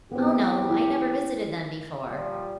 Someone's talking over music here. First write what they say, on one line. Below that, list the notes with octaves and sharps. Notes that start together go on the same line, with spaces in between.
"Oh, no. I never visited them before."
E2 B3 C4 G4
E4
A#2 F3 G3